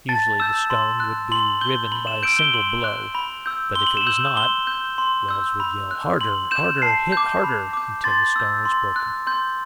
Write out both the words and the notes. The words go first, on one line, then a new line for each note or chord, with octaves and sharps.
Usually the stone would be riven by a single blow; but if it was not, Wells would yell, "Harder! harder! hit harder!" until the stone was broken.
A5 A6
E6 G6 E7
C6
F#6
C6 F#7
G6 G7
B5 F#7
E7
E6 G6 D7
G7
C6 F#7
F#6
B5
E6 G6
C6 G7
F#7
E7
E6 G6 F#7
C6 G7
G6
C6
E6 G6
B5
F#6
C6 F#7
G6 E7
A5 C7
D6 G6
B5
D6 G6
C6 A6
E6 G6
C6
F#6
C6 G6